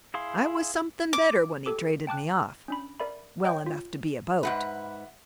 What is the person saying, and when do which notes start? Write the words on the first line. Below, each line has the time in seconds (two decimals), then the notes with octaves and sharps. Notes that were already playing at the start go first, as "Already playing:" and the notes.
I was something better when he traded me off; well enough to be about.
0.14 E4 G#4 F5 C6
1.13 D6
1.66 G4 A4 D6
2.07 G5 A5 D6 F#6
2.68 C#4 D4 B5
3.00 A#4 D5 E5 B5
3.44 C#5 D#5 G5 D6 G6
3.66 F4
4.43 G#2 C#3 B4 E5 F#5